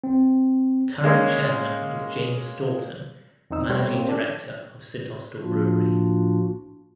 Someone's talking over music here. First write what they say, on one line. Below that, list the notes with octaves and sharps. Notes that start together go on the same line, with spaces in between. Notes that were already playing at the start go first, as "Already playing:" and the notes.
Current chairman is James Staughton, Managing Director of Saint Austell Brewery.
C4
G#3 A#3 C#4
E2 C4 D#4 E6
G3 A3 B3 G4 C5 C#5
A#3 C4 C5
C#4 D4
A2 F3 A#3 D4 F4 F#4